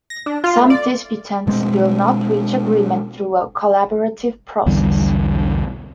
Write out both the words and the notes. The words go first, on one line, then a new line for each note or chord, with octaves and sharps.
Some disputants will not reach agreement through a collaborative process.
A#6
D4
F4
A3
D5
B2 G#3 A#3 C4
B1 E2 D3 G3